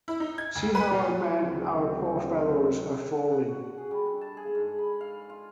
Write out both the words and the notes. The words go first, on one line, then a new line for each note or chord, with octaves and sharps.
See how our men, our poor fellows, are falling.
E4
D#4
G#6
D2
B4
A#2
D2 C#3 F#3 C4
F#5
F#4
G#4
G3
D3
A5
G#4
G#2
B5
F5
F4